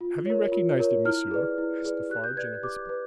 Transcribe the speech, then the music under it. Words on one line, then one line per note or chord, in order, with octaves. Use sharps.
"Have you recognised him, monsieur?" asked Defarge in a whisper.
F4
A#4 C#5
F4
A#4 C#5
E4 F6
G#4 B4 D5
E4
G#4 B4 D5
G4 F#6
G6
B4 D5 G#6
G4 D6
B4